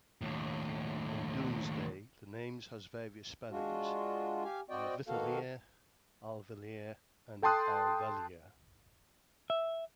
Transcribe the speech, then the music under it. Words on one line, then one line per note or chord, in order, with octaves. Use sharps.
In Domesday the names has various spellings - Alvithelea, Alvileia and Alvilea.
D#2 A2
G#3 D4 F4 F#4
G4 F5 G#5
C4 F#4 D5 D#5 G5
D#3 A#3 B3 F#4 A4 F5
A4 G5 A5 C6 D#6 F#6
E5